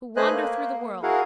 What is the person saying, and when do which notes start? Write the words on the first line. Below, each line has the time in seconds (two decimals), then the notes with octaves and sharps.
Who wander through the world.
0.16 A3 B4 C5 D#5 G#5 F#6
0.32 A#3
1.03 E4 F#4 G#4 A#4 F5 F#5